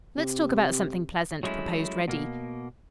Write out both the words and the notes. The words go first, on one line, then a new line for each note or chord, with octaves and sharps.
"Let's talk about something pleasant," proposed Reddy.
C3
F#3 G#3 A3 C#4 E4
B2 A#3